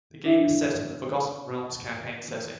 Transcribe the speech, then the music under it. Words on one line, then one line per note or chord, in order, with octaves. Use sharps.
The game is set in the Forgotten Realms campaign setting.
D4 E4 E5